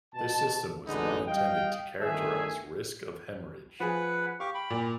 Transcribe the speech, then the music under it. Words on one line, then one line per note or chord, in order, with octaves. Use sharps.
This system was not intended to characterize risk of hemorrhage.
B2 A5
A1 D3 G#3 A3 B3 D#4
G3 D#5 F5 G5
G1 D#3 A3 G#4 E5 G#5
F3 G#4 B4 F#5
G4 F5 C#6 D6
G5 B5
A#2